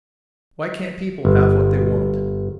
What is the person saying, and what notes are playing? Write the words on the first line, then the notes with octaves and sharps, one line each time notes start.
Why can't people have what they want?
G1